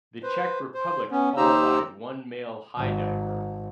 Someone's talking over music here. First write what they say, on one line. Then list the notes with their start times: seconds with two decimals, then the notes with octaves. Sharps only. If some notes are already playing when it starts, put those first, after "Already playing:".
The Czech Republic qualified one male high diver.
0.23 B4 C5
0.74 C5
1.11 B3 C#4
1.37 D#2 D#4 G4 C5 A#5 E6
2.78 G#1